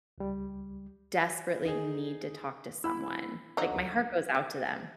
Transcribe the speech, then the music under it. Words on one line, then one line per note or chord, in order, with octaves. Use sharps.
desperately need to talk to someone. Like, my heart goes out to them,
C#2 G3
D#4 G#4
E4 B5 E6
D3 F#3 D#4
G4